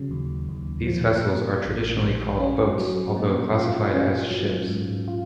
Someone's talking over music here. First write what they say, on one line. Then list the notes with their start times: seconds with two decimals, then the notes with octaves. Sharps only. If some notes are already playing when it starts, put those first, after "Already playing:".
These vessels are traditionally called boats, although classified as ships.
Already playing: C#3 F#3
0.11 D#2
0.49 D#2
0.87 F3
1.26 A#2
1.64 A#1
2.02 A#1
2.40 C#4
2.78 F#3
3.16 A#2
3.55 F4
3.92 C#4
4.30 F#3
4.69 G#2
5.08 F4